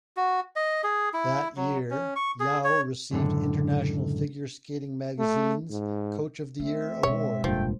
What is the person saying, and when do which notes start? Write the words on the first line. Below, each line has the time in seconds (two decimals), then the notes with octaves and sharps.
That year, Yao received "International Figure Skating Magazine"'s Coach of the Year award.
0.17 F#4
0.56 D#5
0.83 G#4
1.13 E4
1.56 F#3
1.90 C#4
2.16 C#6
2.40 G#4
2.64 C#5
3.11 C#2 F#2 A2 D3
5.19 A3
5.70 G#2
6.60 A3 C4 E5
7.03 B2 G#3 C#5
7.44 F1 G2 A#2 F3 A3 G5